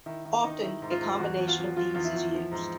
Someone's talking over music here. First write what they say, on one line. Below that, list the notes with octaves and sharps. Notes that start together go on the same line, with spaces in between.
Often a combination of these is used.
D#3 E4
D#3 E4
D#3 D#4
D#3 E4
G#2
F4
G#2
E2 F#4
E2
F4
F3
F3 F4
E2 F4
E4
E2
F3
G#2